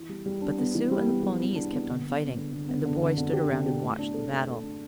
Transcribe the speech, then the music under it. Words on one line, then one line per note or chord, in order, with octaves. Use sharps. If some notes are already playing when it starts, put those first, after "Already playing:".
But the Sioux and the Pawnees kept on fighting, and the boy stood around and watched the battle.
Already playing: E3
G3
G3
D4
B3
E3
G3
B3
G3
B3
D4
B3
D3
B3
B3
D3
D3
B3
D3
D3
D3
G4
D3
G4
A2
D4
A4
A3
A4
D4